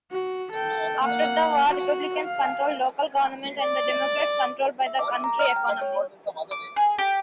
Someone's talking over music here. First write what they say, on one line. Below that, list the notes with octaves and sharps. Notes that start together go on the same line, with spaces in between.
After the war, Republicans controlled local government and the Democrats controlled the county economy.
F#4
A4 G5
A#3 F#5
F#4
F5
D5
E5
D6
A#5
F6
G5
C#5
D6
G#4
G4